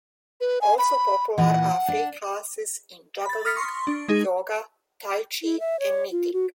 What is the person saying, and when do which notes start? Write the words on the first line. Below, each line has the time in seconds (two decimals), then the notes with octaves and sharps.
Also popular are free classes in juggling, yoga, tai chi and knitting.
0.41 B4
0.61 G#5
0.78 B5
1.38 A#2 E3 F#5
1.88 D4
3.26 B5 A6
3.45 D#6 F6 A#6 B6 C#7
3.57 C6 C#6
3.87 D4
4.08 G#3 D#4 G#4
5.43 E4
5.60 E5
5.80 C#5
6.12 F4
6.33 F#4